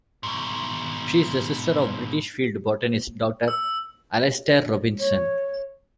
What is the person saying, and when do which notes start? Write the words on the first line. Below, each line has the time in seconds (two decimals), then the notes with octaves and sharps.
She is the sister of British field botanist Doctor Alastair Robinson.
0.23 G#2 B2
3.48 E6
4.99 C#5